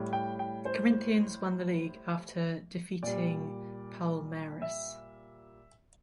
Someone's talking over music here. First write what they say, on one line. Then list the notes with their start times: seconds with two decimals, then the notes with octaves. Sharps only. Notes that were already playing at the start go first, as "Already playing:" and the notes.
Corinthians won the league after defeating Palmeiras.
Already playing: A2 G3
0.13 G5
0.39 G5
0.65 C5
3.03 A#2 G3 D5
4.62 E5